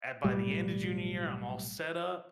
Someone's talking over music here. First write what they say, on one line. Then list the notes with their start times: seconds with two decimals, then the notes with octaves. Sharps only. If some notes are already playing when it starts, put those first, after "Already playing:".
At by the end of junior year, I'm all set up.
0.24 B1 A2 G3